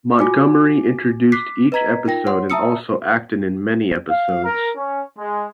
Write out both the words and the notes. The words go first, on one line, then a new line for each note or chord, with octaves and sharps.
Montgomery introduced each episode and also acted in many episodes.
F4 F#4 G#5 D6
D6 F#6 B6 C7
B4 D#5 A#5 G#6 B6
D#4 F4 A#4 G5 A#6
C5 C#5 F#5 C6
E5 A5 A#5 D#6 E6 C#7
F5
A#4
C#4
G#3